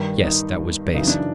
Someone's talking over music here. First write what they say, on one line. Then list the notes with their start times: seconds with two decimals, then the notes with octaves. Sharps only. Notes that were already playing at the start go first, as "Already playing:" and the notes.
Yes, that was base.
Already playing: G2 D#3
0.23 D#4
0.94 F#2 C#3 E3 D#4
1.07 D4